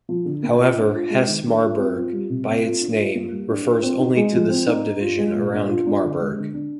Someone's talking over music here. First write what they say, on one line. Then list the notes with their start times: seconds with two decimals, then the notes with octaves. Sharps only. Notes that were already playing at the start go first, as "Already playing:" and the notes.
However, Hesse-Marburg, by its name, refers only to the subdivision around Marburg.
0.09 F3
0.25 D3
0.43 A#3
0.60 F4
0.77 D4
0.94 F4
1.10 G#3
1.27 D#3
1.45 D4
1.62 F4
1.78 C4
1.95 F4
2.13 G3
2.30 C3
2.46 C4
2.64 F4
2.81 D4
2.98 F4
3.14 A#3
3.31 G3
3.49 D4
3.66 F4
3.83 C4
3.99 D#4
4.16 G#3
4.33 F3
4.50 C4
4.67 D#4
4.84 D4
5.01 F4
5.18 G#3
5.35 A#2
5.53 D4
5.69 F4
5.86 D4
6.04 D3
6.20 G#3
6.37 D3
6.54 D4